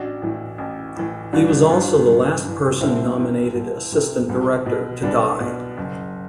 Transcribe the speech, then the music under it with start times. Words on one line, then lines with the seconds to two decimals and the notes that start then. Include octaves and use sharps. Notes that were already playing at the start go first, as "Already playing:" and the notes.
He was also the last person nominated Assistant Director to die.
Already playing: A1 D4 F#4
0.22 A2 E3
0.58 A1
0.96 A2 E3
1.33 G1 D4 F#4
1.70 G2 E3
2.07 G1
2.44 G2 E3
2.81 C2 C4 E4
3.18 C3 E3
3.55 C2
3.92 C3 E3
4.29 C2
4.66 B2
5.03 C2 B3 D4
5.40 B2
5.77 F#1